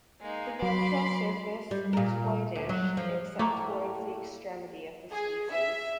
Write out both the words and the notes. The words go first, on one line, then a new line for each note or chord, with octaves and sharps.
The ventral surface is whitish except towards the extremity of the species.
G#3 A#3 D#4
F#3 B5 C6 D6
G3
A#2 A#4
D2
F#3
F3
A2 A3 A#3 A#5 C#6 D6
G#4
E5